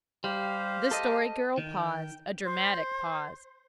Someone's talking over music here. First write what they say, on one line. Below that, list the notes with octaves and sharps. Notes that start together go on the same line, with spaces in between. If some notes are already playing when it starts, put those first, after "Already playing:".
The Story Girl paused--a dramatic pause.
G3 G4 C5 F5
A4 D#5
D#3 G5
C5